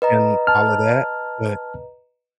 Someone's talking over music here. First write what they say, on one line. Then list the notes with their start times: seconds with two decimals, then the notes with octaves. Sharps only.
and all of that, but
0.02 B4 D#5 A#5
0.47 A5 F6